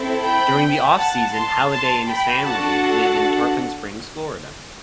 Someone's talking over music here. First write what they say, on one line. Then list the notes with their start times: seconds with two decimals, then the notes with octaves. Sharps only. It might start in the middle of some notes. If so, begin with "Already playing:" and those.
During the offseason, Halladay and his family live in Tarpon Springs, Florida.
Already playing: C4 E4 A4
0.23 G5 B5
0.96 F#5 A5
1.33 A5 C6
1.70 A5 C6
2.08 G5 B5
2.44 D4 F#4 A4 F#5 A5